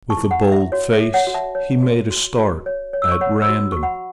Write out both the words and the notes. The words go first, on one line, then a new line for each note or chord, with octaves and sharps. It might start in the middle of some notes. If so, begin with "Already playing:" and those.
With a bold face, he made a start at random.
A5 C#6
E4
F#5 B5
E4
E5
F#4 C#5
E5
A4
C#5 F#5
F#4
E5 A5
C#5
F#4
F#4
F#4
C#5
C#5
E6
C#6
C#5 F#5 B5
B5 E6
F#4
F#4 C#6
F#5 B5